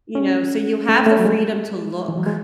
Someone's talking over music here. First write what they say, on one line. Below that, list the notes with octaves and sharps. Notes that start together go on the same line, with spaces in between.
you know, so you have the freedom to look,
C#4
A3
A3
F#3
G#3
E3
F#3
G#3